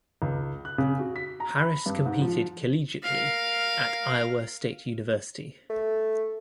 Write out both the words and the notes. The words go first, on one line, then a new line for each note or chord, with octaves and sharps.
Harris competed collegiately at Iowa State University.
C#2
F#6
C#3
F#4
B6
A#5
B5
G2
G#2
F3
A#4 F5
A3